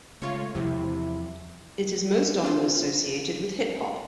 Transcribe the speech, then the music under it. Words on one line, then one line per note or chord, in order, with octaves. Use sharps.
It is most often associated with hip hop.
C#3 G#3 A3 F4 C#5
E2 C3 F3 G3 E4
C4 D4 F4 C5